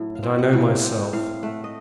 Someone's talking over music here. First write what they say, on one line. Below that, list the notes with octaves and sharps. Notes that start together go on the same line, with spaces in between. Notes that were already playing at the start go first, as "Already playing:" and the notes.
And I know myself.
Already playing: A2 F#3
F5
C4
F#5
A2 F#5
F5
C4 F#5
A2 F5
A3 F#5
D#5